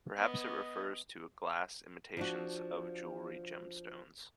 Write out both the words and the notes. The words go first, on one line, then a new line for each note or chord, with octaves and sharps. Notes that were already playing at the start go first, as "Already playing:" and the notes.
Perhaps it refers to glass imitations of jewellery gemstones.
B3 D#5
F3 D4 F#4